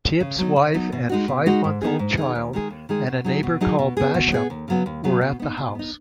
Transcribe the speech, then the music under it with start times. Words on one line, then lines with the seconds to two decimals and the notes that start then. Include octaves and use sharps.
Tibbs's wife and five-month-old child and a neighbour called Basham were at the house.
0.20 C#3
0.38 F#3 B3 D#4
0.56 C#3
0.74 F#3 B3 D#4
0.92 B2
1.09 G#3 D#4 F#4
1.28 B2
1.46 G#3 D#4 F#4
1.64 G#2
1.81 D#3 B3 D#4 G#4
1.99 G#2
2.17 D#3 B3 D#4 G#4
2.35 D#2
2.53 D#3 G#3 D#4 G#4
2.70 D#2
2.89 D#3 G#3 D#4 G#4
3.07 B2
3.25 F#3 D#4 G#4
3.43 B2
3.61 F#3 D#4 G#4
3.79 B2
3.97 B3 G#4
4.14 B2
4.32 B3 G#4
4.50 D#2
4.68 C#3 F#3 B3
4.86 D#2
5.04 C#3 F#3 B3
5.21 B2
5.40 B3 D#4
5.57 B2
5.75 B3 D#4